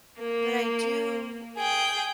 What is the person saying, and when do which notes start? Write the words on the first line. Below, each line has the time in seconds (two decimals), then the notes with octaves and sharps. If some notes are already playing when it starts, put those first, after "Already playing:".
but I do
0.20 A#3
1.57 G#4 G5